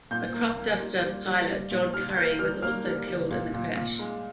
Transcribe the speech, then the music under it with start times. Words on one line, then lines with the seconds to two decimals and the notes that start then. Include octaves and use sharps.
A crop-duster pilot, John Curry, was also killed in the crash.
0.11 A#2 G6
0.34 A#3
0.57 A#3
0.80 G3
1.02 G3
1.25 G3
1.48 G3
1.71 A#2
1.94 G3 F6
2.16 A#3 G6
2.39 G3 F6
2.62 A#3 F6
2.84 G3
3.07 G3
3.30 A#2
3.54 A#2
3.77 A#2
3.99 G#3